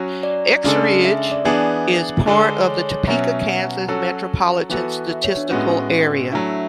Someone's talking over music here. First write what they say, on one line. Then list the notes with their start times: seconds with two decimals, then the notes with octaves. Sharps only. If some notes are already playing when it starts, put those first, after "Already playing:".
Eskridge is part of the Topeka, Kansas Metropolitan Statistical Area.
Already playing: F#3 C#4 F#4
0.23 D5
0.64 C#3 G#3 D4 A4
1.05 E5
1.17 E5
1.32 D5
1.45 E3 B3 D4 G#4 B4
2.26 D3 G#3 D4 A4
2.67 C#5
2.86 C#5
3.07 B2 F#3 C#4 E5
3.27 E5
3.48 F#5
3.88 F#3 C#4 F#4 A4
4.69 E3 B3 F#4 A4
5.10 E5
5.24 C#5
5.37 D4
5.51 A2 G#3 B3 C#4 F#4
6.32 F#3 A3 D4 E4